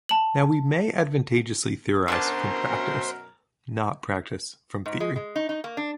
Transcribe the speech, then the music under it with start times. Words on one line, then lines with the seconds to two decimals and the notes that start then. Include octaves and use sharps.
Now we may advantageously theorize from practice, not practice from theory.
0.09 A5 F#7
2.08 F#2 B2 D4 G#4 A#4 C5 A5
4.86 G#2
5.00 G#3
5.16 G#3
5.36 D#4
5.49 D#4
5.64 A#3
5.77 D4